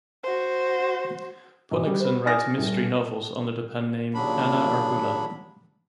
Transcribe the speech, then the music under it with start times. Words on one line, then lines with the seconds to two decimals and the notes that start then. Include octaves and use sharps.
Ponicsan writes mystery novels under the pen name Anne Argula.
0.23 F#4 C5
1.71 B1
1.85 G3 G4
2.00 B4 C5
2.26 D5 G#5 D#6 F6 A6 A#6
2.58 D#1
4.14 D#2 A#2 C#3 F#3 D4 B5